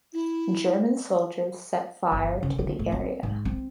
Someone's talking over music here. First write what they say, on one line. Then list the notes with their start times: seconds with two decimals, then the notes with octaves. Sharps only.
German soldiers set fire to the area.
0.13 E4
2.12 G1
2.43 C#3
2.58 D3
2.79 A2
2.92 C4
3.23 G#2
3.45 C4